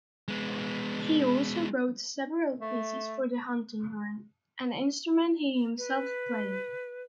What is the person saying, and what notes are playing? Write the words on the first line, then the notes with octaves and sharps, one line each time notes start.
He also wrote several pieces for the hunting-horn, an instrument he himself played.
G#3 B3
A3
B4